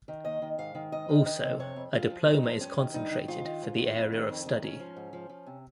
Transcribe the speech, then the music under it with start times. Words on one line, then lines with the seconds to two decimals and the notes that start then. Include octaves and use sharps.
Also, a diploma is concentrated for the area of study.
0.08 D#3
0.25 D#2 D#5
0.42 D#3
0.58 G#2 F5
0.75 D#3
0.92 G#2 D#5
1.09 D#3
1.26 D#3 D#5
1.43 C3
1.59 F2 C#5
1.76 F2
1.93 G2 F4
2.10 F3
2.27 G2 D#4
2.44 F3
2.61 G2 C#4
2.77 D#3
2.94 G2 D#4
3.11 D#3
3.28 G#2 F4
3.45 D#3
3.61 G#2
3.79 D#3
3.95 F2
4.12 D#3
4.29 F2
4.46 D#3
4.63 G#2 C#4
4.79 F3
4.96 G#2
5.13 F3
5.29 F3
5.46 C3